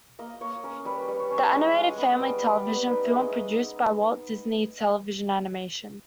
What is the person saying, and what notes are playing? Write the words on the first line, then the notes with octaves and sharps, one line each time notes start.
The animated family television film produced by Walt Disney Television Animation.
A#3 D#5
A#3 C#5
C#4 A#4
G3 B4
G3
C#5
C#4
G#3 D#5
G#3
B3
G3
G3
B3
D#4 D#5
E5
G#3
D#5
D#4